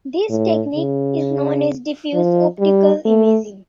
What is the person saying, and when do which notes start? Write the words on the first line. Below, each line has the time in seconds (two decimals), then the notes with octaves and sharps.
This technique is known as diffuse optical imaging.
0.30 A2
0.75 C#3
2.13 F3
2.59 G3
3.05 A3